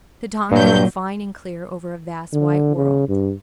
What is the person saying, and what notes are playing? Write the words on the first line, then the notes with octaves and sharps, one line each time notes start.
The dawn broke fine and clear over a vast white world.
G2 A#2 F#3 G6
D3
C#3
G2